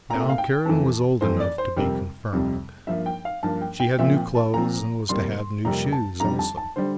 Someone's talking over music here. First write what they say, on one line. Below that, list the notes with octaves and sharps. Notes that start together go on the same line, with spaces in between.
Now Karen was old enough to be confirmed; she had new clothes and was to have new shoes also.
A#2 A3 C4 A#5
E5
F5
G5
F2 E3 A3 C4 A5
F2 E3 A3 C4 C5
D5
C5
F2 C3 G3 C4 A#4
F2 C3 G3 C4
G2 F3 A#3 E5
G5
F5
G2 F3 A#3 A5
G5
G5
A#2 F3 C4 E5
G5
A5
A#2 F3 C4 A#5
F2 C3 G3 A#3 C6
F2 C3 G3 A#3 A#5
A5
F2 D3 G3 A#5
A5
A5
D3 G3 C5